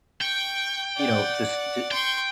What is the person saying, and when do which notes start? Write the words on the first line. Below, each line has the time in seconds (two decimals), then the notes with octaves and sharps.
you know, just ju
0.21 G5 C#6
0.96 D5 F#5
1.91 G5 C6 C#6